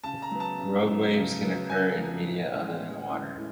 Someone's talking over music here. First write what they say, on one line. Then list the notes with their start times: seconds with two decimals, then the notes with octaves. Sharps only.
Rogue waves can occur in media other than water.
0.04 C#3 A5
0.22 A#5
0.31 F#3 B3
0.40 A5
0.59 C#3
0.86 F#3 B3
1.15 C#3
1.42 F#3 B3
1.69 C#3 G#5
1.97 F#3 B3
2.25 A2
2.52 E3 G#3 C#4
2.80 A2
3.08 E3 G#3 C#4
3.35 A2